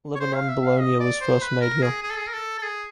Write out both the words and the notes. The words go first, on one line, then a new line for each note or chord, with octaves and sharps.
Lebanon bologna was first made here.
C#5
C5
F5
E5
F5
D#5
D5
C5
B4
A#4
G#4
G#4
A4
G#4
A#4
A4
A4
G#4